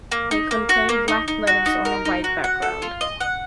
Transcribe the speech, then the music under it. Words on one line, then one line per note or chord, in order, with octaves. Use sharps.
They contain black letters on a white background.
A#3
D#4
A#3
F#4
A#3
D#4
D#4
F#4
D#4
A#4
D#4
F#4
F#5
A4
F4
D#5
F#5